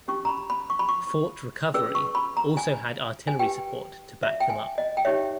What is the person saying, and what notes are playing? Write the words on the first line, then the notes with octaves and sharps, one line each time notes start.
Fort Recovery also had artillery support to back them up.
C#4 E4 G4 C#6
A#5
B5
B5
C#6
B5
C#6
C#4 G#4 B4 E6
C#6
B5
A#5
G#5
G#5
G4 B4 G5
E5
G5
G#5
D#5
G5
D#4 G4 C#5 E5